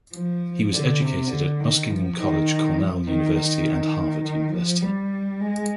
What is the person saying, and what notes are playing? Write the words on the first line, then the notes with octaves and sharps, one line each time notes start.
He was educated at Muskingum College, Cornell University, and Harvard University.
F3
D3
C3
D3
D#3
F3
D#3
F3
D#3
D#3
D#3
F3
G3
G#3